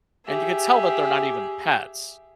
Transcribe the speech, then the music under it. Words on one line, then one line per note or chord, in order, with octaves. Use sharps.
And you could tell that they're not even pets.
G4 G#4 E5